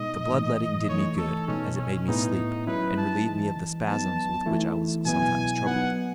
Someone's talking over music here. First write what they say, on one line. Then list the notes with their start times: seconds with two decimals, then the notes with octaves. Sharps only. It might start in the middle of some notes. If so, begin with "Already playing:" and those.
The blood-letting did me good, as it made me sleep, and relieved me of the spasms with which I was sometimes troubled.
Already playing: B2 G#3 D#4 D#5
0.28 A2 E3 A3 D#4
0.87 E3 A3 D#4 C#5
1.18 A4
1.47 B2 G#3 C#4 D#4
1.78 C#4
2.08 A2 G#3 B3 D#4 E4
2.67 F#3 C#4 E4 B4
2.97 A5
3.27 E3 G#3 D#4 A5
3.87 F#3 B3 D#4 A5
4.46 E3 A3 E4
5.06 B2 F#3 B3 E4 G#5
5.66 F#3 B3 D#4 F#5